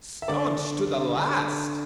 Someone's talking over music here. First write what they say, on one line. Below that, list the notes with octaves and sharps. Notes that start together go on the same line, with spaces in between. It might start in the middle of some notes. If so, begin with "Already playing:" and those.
Staunch to the last!
E5
D3 D5
D3
D3
D3
D3